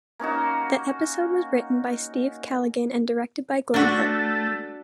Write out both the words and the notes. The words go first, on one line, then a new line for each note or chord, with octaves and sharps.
The episode was written by Steve Callaghan and directed by Glen Hill.
A#3 C#4 D#4 F#4
A3 D4 F#4